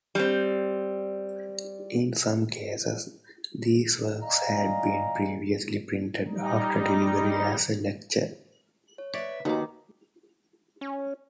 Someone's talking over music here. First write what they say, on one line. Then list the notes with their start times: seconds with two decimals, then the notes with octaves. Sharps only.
In some cases these works had been previously printed after delivery as a lecture.
0.15 G3 C4
4.22 D5 D#5 F5 G#5 A#5
6.28 G3 D#4
8.98 C#5
9.14 B4 C#5 D5 E5 B6
9.45 D#2 D#3 A#3 F#4 B4 A#5 D6
10.81 C#4